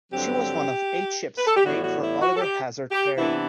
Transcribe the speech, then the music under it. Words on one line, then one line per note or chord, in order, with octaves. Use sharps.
She was one of eight ships named for Oliver Hazard Perry.
G2 D3 F#3 C4 G4
B4
A4
G4
A2 E3 G3 B3 F#4
F#4
E4
F#4
A4
G4
G4
C3 E3 B3 D4 E4